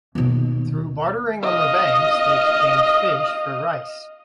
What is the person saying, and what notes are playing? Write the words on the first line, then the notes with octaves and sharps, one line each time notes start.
Through bartering on the banks, they exchange fish for rice.
D#2 B2
D#5 F5